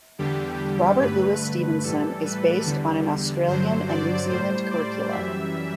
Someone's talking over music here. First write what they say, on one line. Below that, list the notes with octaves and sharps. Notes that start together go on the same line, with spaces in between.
Robert Louis Stevenson is based on an Australian and New Zealand curricula.
E2 D3 G3 G4
G2 D3 A3 B4
A2 E3 G3 A4
B4
E2 D3 G3
G2 D3 F#3 C5
D5
A2 G3 C5
D5
F#2 E3 G3 E5